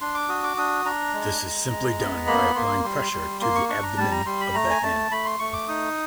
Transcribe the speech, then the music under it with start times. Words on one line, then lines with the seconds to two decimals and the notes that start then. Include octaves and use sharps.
This is simply done by applying pressure to the abdomen of the hen.
0.01 D4 C6
0.14 D6
0.29 F#4 D#6
0.43 D6
0.57 D4 D#6
0.85 D4 A#5
1.14 G#3
1.42 G#3
1.71 G#3
2.00 B3
2.27 A#3 B5
2.55 A#3 C6
2.84 G3 C6
3.12 G3
3.41 A#3 C6
3.55 C#6
3.69 D4 C#6
3.83 A#5
3.98 G3 A5
4.11 A#5
4.26 G3 C6
4.41 B5
4.54 A3 A#5
4.70 G#5
4.82 A3 A5
5.11 A3 B5
5.25 C6
5.39 A3 C#6
5.53 D6
5.68 D#4 D#6